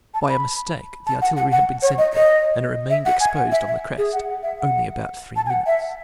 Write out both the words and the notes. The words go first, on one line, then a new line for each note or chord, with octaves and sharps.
By a mistake, the artillery had been sent there, and it remained exposed on the crest only about three minutes.
A5
B5
A5
F#5
F#5
F#5
C#5
D#5
D#5
E5
F#5
G#5
F#5
E5
E5
G#4
F#5
E5
F#5
A5
G#5
F#5
E5